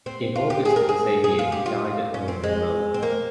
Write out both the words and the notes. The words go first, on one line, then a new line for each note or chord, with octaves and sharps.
In August of the same year, he died at home in Rome.
C4
F4
G4
G#4
A#4
G#4
G#4
F4
G4
F4
C#4
C4
G#3
C4
A#3